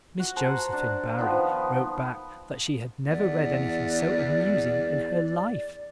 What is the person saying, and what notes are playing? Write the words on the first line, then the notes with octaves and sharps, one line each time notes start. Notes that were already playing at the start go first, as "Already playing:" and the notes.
Miss Josephine Barry wrote back that she had never read anything so amusing in her life.
F#4
C5 F#5 A5 A#5
D4
D#3 F3 B3 D#4
E2 D5